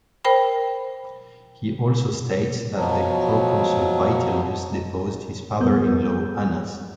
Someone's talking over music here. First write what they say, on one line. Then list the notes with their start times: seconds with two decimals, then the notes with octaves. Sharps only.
He also states that the proconsul Vitellius deposed his father in law, Annas.
0.24 A#4 C5 G5 B5
2.74 B2 F3 F#3
5.60 F2 G3 B3 A#4 G6